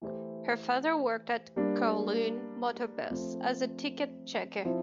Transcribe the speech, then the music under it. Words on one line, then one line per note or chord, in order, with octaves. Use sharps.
Her father worked at Kowloon Motor Bus as a ticket checker.
E3 A3 E4 G4 C5
G3 A#3 D4
F3 A3 C4
F3 C4 E4